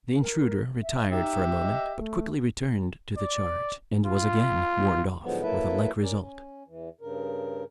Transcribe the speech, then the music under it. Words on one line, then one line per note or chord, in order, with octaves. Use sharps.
The intruder retired for a moment, but quickly returned to the charge, and was again "warned off," with a like result.
A#4
E5
D#4 G4 E5
D#5
A3
D5
F4
G#2 D3 F3 F#3 G#3 B3
F#3 A#3 E4 A4 B4 E5
C#4 A#4 D5
C#4
E2 E3
G2 C#3 A#4